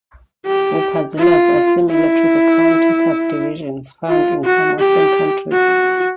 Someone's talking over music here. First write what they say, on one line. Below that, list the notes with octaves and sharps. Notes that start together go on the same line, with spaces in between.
Upazilas are similar to the county subdivisions found in some Western countries.
G4
F4
E4
F4
F#4
G4
F#4